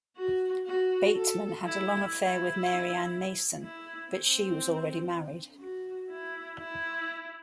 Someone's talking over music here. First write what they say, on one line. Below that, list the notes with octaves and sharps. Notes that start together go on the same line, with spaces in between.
Bateman had a long affair with Mary Ann Mason, but she was already married.
F#4
F#4
A4
E4
E4
E4
C4
F#4
E4
E4